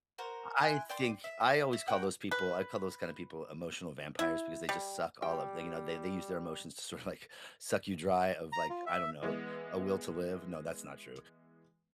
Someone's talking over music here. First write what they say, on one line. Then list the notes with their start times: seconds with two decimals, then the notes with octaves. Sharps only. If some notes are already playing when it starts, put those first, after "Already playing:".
I think I always call those people I call those kind of people emotional vampires because they just suck all of the you know, they they use their emotions to sort of, like, suck you dry of, like, I don't know, a will to live. No, that's not true.
0.18 F#4 A#4 C5
0.59 E4 G#5 C6 F#6
0.89 D5 G5 C6
1.24 E5
1.73 E5
1.88 C#4 A#4 F#5 G5
2.31 B4
4.19 E4
4.69 G3
5.22 G3 G5
8.52 A#5
8.70 F4
8.86 E5
9.22 E3 G#3 B3